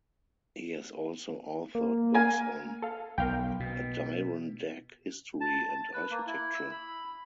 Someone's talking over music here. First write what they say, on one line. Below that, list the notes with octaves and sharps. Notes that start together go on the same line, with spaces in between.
He has also authored books on Adirondack history and architecture.
A#3
A#4 F5 G#5
A4 F5
B1 A#4 F5 G5
B2
A5
A5
B4
A#3
E4
E6
B5